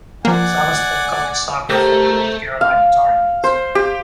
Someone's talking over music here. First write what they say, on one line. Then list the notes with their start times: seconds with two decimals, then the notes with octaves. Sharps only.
Salas played college soccer for the North Carolina Tar Heels.
0.25 F3 A#3 D5 F#5 G#5
1.70 A3 G4 A4 A#4 C5
2.61 F5
3.44 C5
3.75 G4